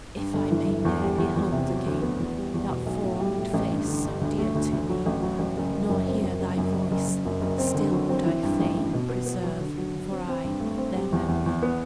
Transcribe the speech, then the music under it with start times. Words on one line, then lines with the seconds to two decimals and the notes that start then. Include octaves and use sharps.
If I may ne'er behold again That form and face so dear to me, Nor hear thy voice, still would I fain Preserve, for aye, their memory.
0.17 G2
0.34 G1
0.51 E3
0.67 G1
0.85 E2
1.01 G3
1.18 E2
1.36 E2
1.52 C3
1.70 F#3
1.86 D2
2.02 B3
2.19 E2
2.37 G3
2.54 E2
2.69 B2
2.86 B1
3.03 A2
3.20 G3
3.37 A2
3.54 A1
3.70 G2
3.88 D3
4.04 G2
4.21 D2
4.38 A3
4.55 D2
4.73 D2
4.89 F#3
5.06 A1
5.22 F#3
5.39 A1
5.57 F#1
5.73 F#1
5.89 F#2
6.07 C4
6.23 F#2
6.40 F#1
6.58 F#2
6.74 F#1
6.91 F#1
7.08 F#1
7.25 F#2
7.41 F#1
7.58 C4
7.74 D3
7.92 F#3
8.09 C4
8.25 E3
8.43 G2
8.60 A1
8.76 A1
8.94 B2
9.09 B3
9.26 B3
9.44 F#3
9.61 D3
9.78 F#3
9.94 D3
10.10 C4
10.28 C4
10.44 G2
10.61 A3
10.78 C4
10.95 G3
11.12 E2
11.28 E2
11.46 E2
11.63 B3